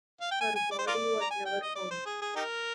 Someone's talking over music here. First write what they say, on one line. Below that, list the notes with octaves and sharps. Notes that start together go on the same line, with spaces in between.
Her body was never found.
F5
G5
G#5
G#5
D5
C5
F4 A#4 D5
A#5
G#5
G5
D#5
D5
C5
G#4
G#4
D#4 G4 A#4